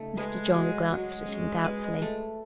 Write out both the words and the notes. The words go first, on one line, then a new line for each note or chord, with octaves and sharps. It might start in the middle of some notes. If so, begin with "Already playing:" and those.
Mr. John glanced at him doubtfully.
Already playing: C#3 A3 D#4
G#3 B4
F#3
F#3 G#3
C#4
B4
A3